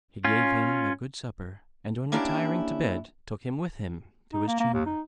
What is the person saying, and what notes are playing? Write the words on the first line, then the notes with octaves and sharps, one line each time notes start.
He gave him a good supper, and on retiring to bed took him with him to his chamber.
C#4 F4
A#3 C#4 D4 E4 G4
D#4
A#3
A#3
D#2
D#4